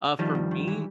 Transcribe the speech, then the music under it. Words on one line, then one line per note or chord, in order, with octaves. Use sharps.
Uh, for me,
D#3 F3 G3
G2
D#3
E3